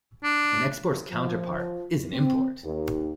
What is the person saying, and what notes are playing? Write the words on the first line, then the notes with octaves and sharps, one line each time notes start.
An export's counterpart is an import.
D4
F3
C4
D#2